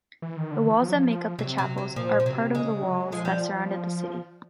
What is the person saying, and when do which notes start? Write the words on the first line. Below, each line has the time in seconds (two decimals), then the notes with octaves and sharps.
The walls that make up the chapels are part of the walls the surrounded the city.
0.22 E3
0.37 D#3
0.51 D3
0.66 E3
0.81 F3
0.88 F#3
0.96 F3
1.39 C3 F#3
1.58 F#3
1.78 F#3
1.96 A#2 F3
2.20 F3
2.26 C3 F#3
2.55 C#3 G#3
2.84 F#3
3.12 F3 G#3
3.25 G3